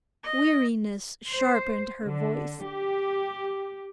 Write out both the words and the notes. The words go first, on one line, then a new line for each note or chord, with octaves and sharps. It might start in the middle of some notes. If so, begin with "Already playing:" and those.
Weariness sharpened her voice.
D#5
C5
D3
G4